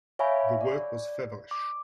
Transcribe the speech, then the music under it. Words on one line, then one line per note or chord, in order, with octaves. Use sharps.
The work was feverish.
C#5 E5 F5 G#5 B5 C#6
D5
D6